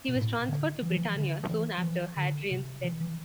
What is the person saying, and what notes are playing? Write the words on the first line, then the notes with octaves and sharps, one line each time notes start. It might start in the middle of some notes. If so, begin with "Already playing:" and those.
He was transferred to Britannia soon after Hadrian's death.
B2
A2
D3
E3
F3
E3
D3
E3
F3
E3
D3
C3
E3
E3